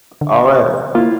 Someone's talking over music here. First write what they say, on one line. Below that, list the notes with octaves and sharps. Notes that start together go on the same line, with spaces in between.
All right.
D3
A#3 E4 F4